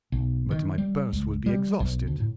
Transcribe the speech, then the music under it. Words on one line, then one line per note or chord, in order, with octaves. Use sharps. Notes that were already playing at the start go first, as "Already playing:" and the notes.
"But my purse will be exhausted."
B1
D#3
G3
C#2
G3
B1
D2
A2